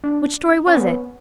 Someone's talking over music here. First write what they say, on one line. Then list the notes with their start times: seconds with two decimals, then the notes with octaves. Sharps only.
"Which story was it?"
0.04 D4
0.67 C#4
0.77 B3